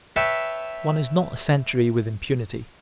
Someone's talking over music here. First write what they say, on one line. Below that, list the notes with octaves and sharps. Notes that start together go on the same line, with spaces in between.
One is not a century with impunity.
B4 C#5 E5 G5 A5